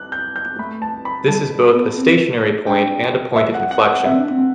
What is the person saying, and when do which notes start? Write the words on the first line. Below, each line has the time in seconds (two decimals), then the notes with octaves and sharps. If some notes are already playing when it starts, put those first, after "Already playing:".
This is both a stationary point and a point of inflection.
Already playing: F#6
0.12 G6
0.36 G6
0.58 A3 B5
0.82 A5
1.05 B5
1.28 G3 A5
1.51 G3
1.74 B3
1.97 C4
2.66 D4 G5
3.36 E5
3.54 F#5
3.71 F#5
3.88 F#5
4.05 C4 E5
4.18 D4
4.31 C4